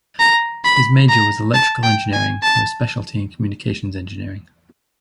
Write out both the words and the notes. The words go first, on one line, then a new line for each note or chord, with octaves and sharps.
His major was electrical engineering with a specialty in communications engineering.
A#5
B5
A#5
A5
G5
G#5
A5